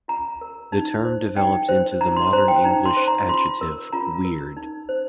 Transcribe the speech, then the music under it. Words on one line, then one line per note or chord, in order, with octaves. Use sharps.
The term developed into the modern English adjective "weird".
F4 A#5
A#4
D#4
C5
D#4 G5
C5
D#4 A#5
C6
C5 A#5
G5
D#4 A#5
C6
C5
A#5
F4 C6
A#4
F4 A#5
A#4
D#4
C5